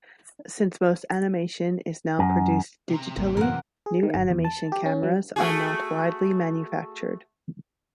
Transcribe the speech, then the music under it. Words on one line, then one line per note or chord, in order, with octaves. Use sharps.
Since most animation is now produced digitally, new animation cameras are not widely manufactured.
F#2
C3 A#5
G#1 D2 A#3
F#2 A2 E3 A#3 A#4 F#5
G#4
D#3
G1
E2
A5
G4
C#4
F#3
A3 F#4 G#4